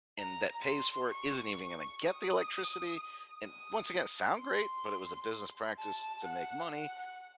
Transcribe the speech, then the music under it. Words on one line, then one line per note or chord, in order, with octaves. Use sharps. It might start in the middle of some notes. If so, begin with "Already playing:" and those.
and that pays for it isn't even gonna get the electricity and once again it sound great, but, it was a business practice to make money
A#5
C6
C#6
D#6
D#6
C6
A5
F#5
F#5